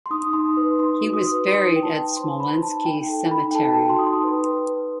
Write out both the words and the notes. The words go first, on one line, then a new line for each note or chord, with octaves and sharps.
He was buried at the Smolensky Cemetery.
C6
D#4 D#6
D#4 C6
B4
D#4 C6
F#4
D#6
B4
D#4 C6
D#4 G5
A5
D#4
C5 C6
D#4 B5
D#4 A5
D#4 G5
A4 G5
D#4 B5
G5
A4 A5
G5
A5
F#4
C6
D#4 D#6
C6
B4
B4
B4